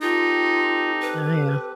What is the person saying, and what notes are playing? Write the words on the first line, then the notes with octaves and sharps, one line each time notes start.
Oh, yeah.
C4 D#4 F4 G4 A4
B4